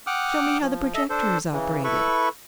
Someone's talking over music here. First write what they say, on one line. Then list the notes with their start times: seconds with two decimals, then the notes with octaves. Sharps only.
Show me how the projector is operated.
0.07 F#5 G5 D6 D#6 F6 F#6
0.62 F3
0.94 A4 D#5 E5
1.10 D4 A4 C5
1.52 C#3 E3
1.84 E4 A4 B4 B5 C#6